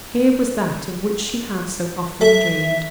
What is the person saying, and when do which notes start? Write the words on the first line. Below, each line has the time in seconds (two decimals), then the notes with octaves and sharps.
Here was that of which she had so often dreamed.
2.21 A3 A4 E5